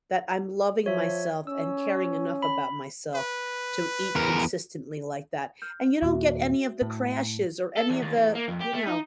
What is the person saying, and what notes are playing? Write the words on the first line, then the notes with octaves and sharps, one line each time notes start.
that I'm loving myself and caring enough about myself to eat consistently like that and you don't get any of the crashes or any of the you know,
F3 C#5 E5
C#4 E6
B5
B4
E2 A#4
F6 G6
D#2 A#2 F#4 E5
A2
A4
E2
D#2
E2
A#3
F2
G4
A3
D#4